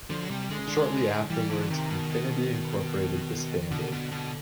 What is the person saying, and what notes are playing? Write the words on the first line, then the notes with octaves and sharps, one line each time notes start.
Shortly afterwards, Infinity Incorporated disbanded.
D3 F3
F#3
C3 G3
D3 G#3
C#3
D3
E3 G3
D3
C3 D#3
B2
B2
B2 D3
B2
B2